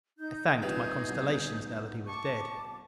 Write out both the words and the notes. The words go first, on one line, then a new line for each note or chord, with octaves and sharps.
I thanked my constellations now that he was dead.
D#4 G6
C2 E3 F4 G4 G#4
C2 B2
A5 C#6 D6